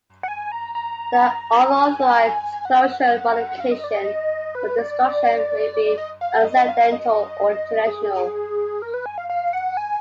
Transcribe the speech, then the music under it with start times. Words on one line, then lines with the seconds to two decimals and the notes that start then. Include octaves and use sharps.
The unauthorized disclosure, modification, or destruction may be accidental or intentional.
0.23 F#5
0.28 G#5
0.52 A#5
0.75 A#5
1.70 G#5
2.65 F#5
3.60 F5
3.71 D#5
3.84 D5
3.96 D#5
4.55 B4
4.79 D5
5.98 D#5
6.21 F5
6.33 F#5
6.45 D#5
6.57 D#5
6.69 F5
6.80 F5
6.92 D#5
7.87 G#4
8.82 A#4
8.94 B4
9.06 G#5
9.18 F5
9.30 F5
9.53 F#5
9.77 G#5